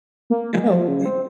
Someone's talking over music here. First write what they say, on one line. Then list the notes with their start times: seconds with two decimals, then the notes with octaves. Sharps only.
Oh. Mm.
0.30 A#3
0.53 G#3
0.70 F3
0.88 C#3
1.05 C4